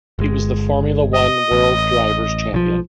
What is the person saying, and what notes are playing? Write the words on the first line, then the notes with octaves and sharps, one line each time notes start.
He was the Formula One World Drivers' Champion.
G1 G#3
D#5
A1
B1 D#3 F3